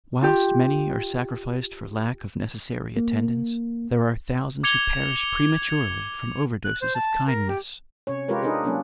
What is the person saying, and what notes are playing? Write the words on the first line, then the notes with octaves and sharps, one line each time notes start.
Whilst many are sacrificed for lack of necessary attendance, there are thousands who perish prematurely from overdoses of kindness.
F4 G4
A#3
D6 G#6 C#7 F7 G7
F#6
C5
A5
A#4
G4
C3 C#4 C#5
G#3 F4 G4 A#4 B4 C#5
D4 D#4 G#4 A4 B4
F#3 A#3 C#4 D4